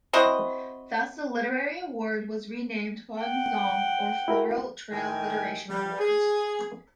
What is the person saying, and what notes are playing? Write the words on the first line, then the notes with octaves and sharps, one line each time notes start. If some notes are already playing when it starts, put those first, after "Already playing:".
Thus the literary award was renamed "Hua Zong" or Floral Trail Literation Awards.
C4 E4 F#4 D#5
F#5 G5
E4 F#4 A#4
A2 D#3 G5 G#5
G3
G#4